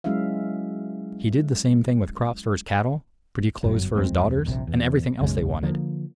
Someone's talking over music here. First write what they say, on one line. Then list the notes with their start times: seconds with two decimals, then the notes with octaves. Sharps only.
He did the same thing with crops for his cattle, pretty clothes for his daughters, and everything else they wanted.
0.04 F#3 G#3 C#4 E4 E5 F5
3.63 G1 F#2 F#3
3.95 D1 F2 G#3 C4
4.45 D#1 A#1 C3
4.67 E2
5.21 B1 F#2 C#3 G#3
5.63 D3 F3 A#3